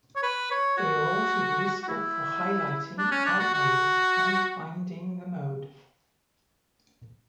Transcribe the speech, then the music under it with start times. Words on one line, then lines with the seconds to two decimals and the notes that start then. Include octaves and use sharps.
They are also useful for highlighting outliers and finding the mode.
0.16 C#5
0.23 B4
0.51 C#5
0.77 F#4
1.83 F#4
1.88 E4
2.98 D4
3.11 C#4
3.26 D4
3.39 F#4
3.54 F#4